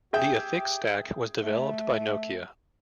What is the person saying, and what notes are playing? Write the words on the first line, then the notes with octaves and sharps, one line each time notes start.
The Affix stack was developed by Nokia.
G4 G#4 E5 G5
A3